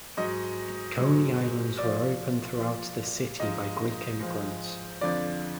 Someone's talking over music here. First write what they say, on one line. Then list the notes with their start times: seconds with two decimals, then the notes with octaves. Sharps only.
Coney Islands were opened throughout the city by Greek immigrants.
0.17 G#2 F#3 D#5
0.98 G#2 F#3
1.78 A#2 F3 D5
2.59 A#2 F3
3.40 G#2 F3 D#5
4.20 G#2 F3
5.01 F2 D3 F3 D5